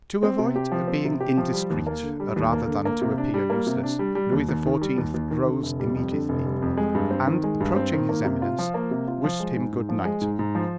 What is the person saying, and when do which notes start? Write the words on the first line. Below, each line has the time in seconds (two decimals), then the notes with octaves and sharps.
To avoid being indiscreet, rather than to appear useless, Louis XIV. rose immediately, and approaching his eminence, wished him good-night.
0.23 C4
0.39 C3
0.55 G4
0.72 F3
0.88 C4
1.05 C3
1.20 G4
1.37 F3
1.53 G3
1.70 D#2
1.87 A#3
2.03 D3
2.20 G3
2.36 D#2
2.52 A#3
2.68 D3
2.85 A#3
3.02 C3
3.18 D4
3.34 G3
3.50 A#3
3.67 C3
3.83 D4
3.99 G3
4.15 G3
4.32 D#2
4.49 D#2
4.66 D#3
4.82 G3
4.98 D#2
5.14 D#2
5.31 D#3
5.46 D3
5.63 F1
5.80 G3
5.96 F2
6.12 D3
6.29 F1
6.45 G3
6.62 F2
6.77 G#3
6.95 G2
7.11 C4
7.27 D#3
7.44 G#3
7.60 G2
7.76 C4
7.93 D#3
8.09 A#3
8.25 C3
8.42 F4
8.58 F3
8.74 A#3
8.91 C3
9.08 F4
9.24 F3
9.40 G#3
9.56 G#2
9.73 G#2
9.89 F3
10.05 G#3
10.21 G#2
10.39 G#2
10.55 F3